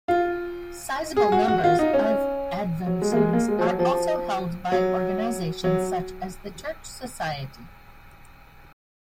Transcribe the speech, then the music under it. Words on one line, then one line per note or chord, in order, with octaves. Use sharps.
Sizable numbers of advowsons are also held by organizations such as the Church Society.
F4
G#4
F#4
F#4
F4
D#4
C#4
F#3
G#3
A#3
G#3
A#3
G#3
F3
F#3
F3
F#3
F#3